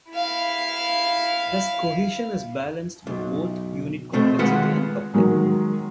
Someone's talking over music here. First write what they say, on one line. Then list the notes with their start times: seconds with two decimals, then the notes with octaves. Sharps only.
Thus cohesion is balanced with both unit complexity and coupling.
0.11 E4 F5
3.07 B1
4.13 B2 A3 C4
4.39 D#3 G#3 F4 B4 F#5
5.13 D#3 F#3 G#3